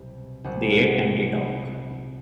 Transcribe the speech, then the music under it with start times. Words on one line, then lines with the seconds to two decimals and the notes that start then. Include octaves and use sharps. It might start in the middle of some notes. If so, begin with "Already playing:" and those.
They eat and they talk.
Already playing: C2 B2 F#3
0.44 C2 A#2 F#3 F#5
0.68 F5 F#5
1.01 F#5